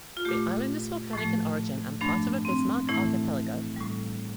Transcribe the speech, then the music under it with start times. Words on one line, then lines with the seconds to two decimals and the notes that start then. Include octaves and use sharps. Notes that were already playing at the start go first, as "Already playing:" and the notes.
The island is volcanic in origin and part of the Bismarck Archipelago.
0.17 F4
0.25 A#2 A3 G4
1.13 A2 F3 A3
2.01 G2 F3 A3 D4
2.45 C4
2.89 A2 E3 A3 E4
3.76 A2 G3